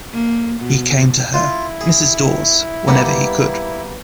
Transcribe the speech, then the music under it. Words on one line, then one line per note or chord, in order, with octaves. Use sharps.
He came to her, Mrs. Dawes, whenever he could.
A#3
B2
E4 F4
G#4
G3 A#3 B3